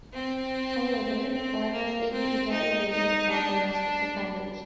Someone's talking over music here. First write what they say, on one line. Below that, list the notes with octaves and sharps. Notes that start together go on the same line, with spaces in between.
However, Bart is able to get away and tell the rest of the family.
C4
C4
A#3
C4
D#4
D#4
D4
D4